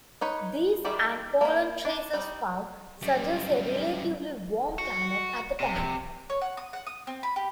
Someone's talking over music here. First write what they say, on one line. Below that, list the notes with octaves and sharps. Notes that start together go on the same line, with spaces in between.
This, and pollen traces found, suggests a relatively warm climate at the time.
D#4 B4 C#5
D#3 G3 D5 E5
A#3 E4
D4
G3 D#4
F#2 G3
F#4
C3
C#5
F#5
D#6
F#5
D#6
C4
B5
G4